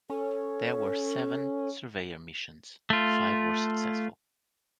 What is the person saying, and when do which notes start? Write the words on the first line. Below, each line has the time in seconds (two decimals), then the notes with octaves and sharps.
There were seven Surveyor missions; five were successful.
0.10 C#4 A4
2.90 A3 F4